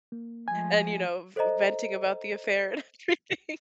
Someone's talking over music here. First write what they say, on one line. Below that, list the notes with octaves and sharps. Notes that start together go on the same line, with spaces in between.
and, you know, v venting about the affair and everything.
A#3
F3 G#3 A3 G#5
A4 C5 D5 D#5 A#5